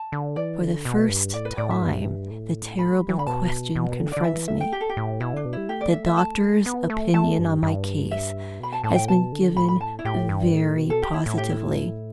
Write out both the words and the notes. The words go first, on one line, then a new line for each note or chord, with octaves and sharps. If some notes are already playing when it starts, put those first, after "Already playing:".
For the first time, the terrible question confronts me: The doctor's opinion on my case has been given very positively.
Already playing: A5
D3
E3 D5
D3
B2
G2
A2 D5
B4
A2 D5
E5
G2
A2
B5
A3
G3
E3
D3 B5
B2 A5
B2
D3
D3 D5
E3 E5
A3 E5
G5
G4
A4
G4
A2
B2 E4
D3 D4
B2
G3 E4
A3 G4
D5
E5
E5
A5
B3
A3
A3 A5
G2
G2
E5
B2 B5
A5
A2 A5
G5
B2 A5
D3
A2 B5
B5
A5
E4
A2 G4
G2
A2
B2
A4
G4
E4
A2 E4
G4
E4